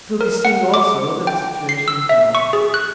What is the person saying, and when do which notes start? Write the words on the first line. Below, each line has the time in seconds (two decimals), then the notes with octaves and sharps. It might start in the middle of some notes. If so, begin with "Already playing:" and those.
It will be seen also that the situation was novel.
0.21 A#4
0.45 F#5
0.74 D6
1.27 G5
1.69 C7
1.88 E6
2.09 E5
2.35 C#6
2.53 G#4
2.74 F#6